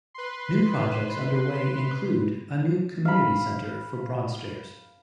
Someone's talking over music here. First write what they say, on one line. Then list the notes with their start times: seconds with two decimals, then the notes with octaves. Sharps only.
New projects under way include: A new community centre for Broadstairs.
0.14 B4 C6
3.05 F5 B5